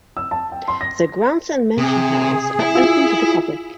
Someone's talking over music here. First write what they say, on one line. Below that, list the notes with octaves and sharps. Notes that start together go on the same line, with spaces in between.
The grounds and mansion house are open to the public.
E6
A5
G5
C6
A#6
C3 G#4
E4
F4 E6